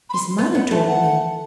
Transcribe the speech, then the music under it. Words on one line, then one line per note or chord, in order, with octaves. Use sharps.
His mother told me.
B5
C6
B3
B3
A3
F#5